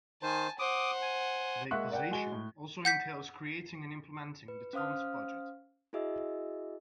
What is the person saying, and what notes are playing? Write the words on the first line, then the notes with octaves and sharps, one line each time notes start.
The position also entails creating and implementing the town's budget.
D#3 C5 G#5 A5
C5 F#5 D6 D#6
G#5
G#3 A#3 E5 F#5 C#6 F#6
A#4 D5 F#5 G5
G#3 F#4 G#5 G7
A2
F#5 G6 B6
B4
C#4 C5 F5 D#6 F6
E4 F#4 G#4 D#5 E5 E6